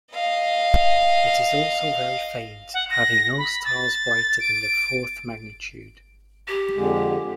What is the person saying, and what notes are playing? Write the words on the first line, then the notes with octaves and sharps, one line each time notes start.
It is also very faint, having no stars brighter than the fourth magnitude.
D#5 F5
F#5
A#6
B5
A6
D7
G4
F2 D3 G#3